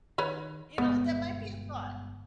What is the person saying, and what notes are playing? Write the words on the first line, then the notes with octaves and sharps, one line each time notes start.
You know, that might be a thought.
D#3 B4 C#5 B5
G1 B2 G#3 B3